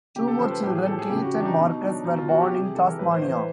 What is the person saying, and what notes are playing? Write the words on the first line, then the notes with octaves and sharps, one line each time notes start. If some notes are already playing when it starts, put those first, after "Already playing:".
Two more children, Kate and Marcus, were born in Tasmania.
C#3 G4
A4
F3 C5
B4
A2 G4
G#4
F3 A4
G#4
C#3 G4
F#4
E3 G4
D4
D#4
B2 D#4
F#3 D4
B2 D#4
F4
F#3 F#4
G4
C3 G4
G#4
E3 A4
A#4
A2 B4
C5
E3 C5
B4